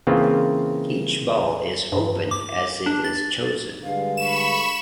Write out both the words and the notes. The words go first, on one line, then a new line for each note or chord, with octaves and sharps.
Each ball is opened as it is chosen.
C#3 E3 A#3 C4 F4
G2
D6
D4
A6
G2 D3 G#3 F5
B5 C#6 E7